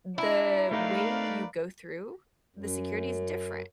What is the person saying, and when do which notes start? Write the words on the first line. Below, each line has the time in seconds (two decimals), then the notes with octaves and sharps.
the way you go through the security is different,
0.18 D4 E4 A#5
0.71 A3 D#4 A#4 B4 D5 F5
2.56 F#2